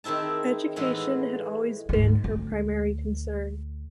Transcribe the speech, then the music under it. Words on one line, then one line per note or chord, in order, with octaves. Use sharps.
Education had always been her primary concern.
D#3 G#3 C4 E4 A5
A2 E3 G#3 B3
D2 G#2
D2